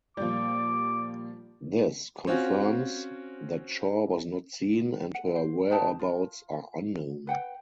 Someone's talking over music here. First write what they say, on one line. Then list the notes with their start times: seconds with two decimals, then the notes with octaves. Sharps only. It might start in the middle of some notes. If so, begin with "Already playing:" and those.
This confirms that Shaw was not seen and her whereabouts are unknown.
0.17 A#2 F3 G3 D6 G6
2.27 C4 C#4 F4 F#4
5.14 F#5
5.36 C5
5.71 D#4 G4 B4 A5
5.99 F4
7.27 B4 F#5 G5